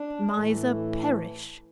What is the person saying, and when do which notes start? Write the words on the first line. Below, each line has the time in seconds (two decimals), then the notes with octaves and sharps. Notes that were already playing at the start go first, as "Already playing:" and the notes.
Miser, perish!'
Already playing: D4
0.36 A2 E3 A3